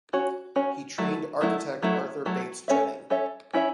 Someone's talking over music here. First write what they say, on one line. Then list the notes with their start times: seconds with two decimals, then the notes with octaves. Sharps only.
He trained architect Arthur Bates Jennings.
0.13 C#4 F#4 C#5
0.56 C#4 F#4 C#5
0.98 F#3 A3 E4
1.41 F#3 A3 E4
1.83 F#3 A3 E4
2.26 F#3 A3 E4
2.68 C#4 A4 C#5 E5
3.10 C#4 A4 C#5 E5
3.53 C#4 E4 C#5 E5